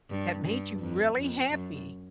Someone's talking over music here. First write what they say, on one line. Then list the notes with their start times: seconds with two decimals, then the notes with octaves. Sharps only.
that made you really happy?
0.10 G2
0.45 G2
0.80 F2
1.16 F2
1.50 F#2